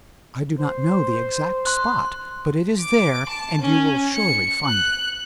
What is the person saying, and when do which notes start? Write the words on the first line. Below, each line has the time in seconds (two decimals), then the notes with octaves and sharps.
I do not know the exact spot, but it is there, and you will surely find it.
0.59 C5
1.66 C6 F#6
2.81 D6
3.29 A5
3.62 C#4
4.14 C#7
4.66 F#6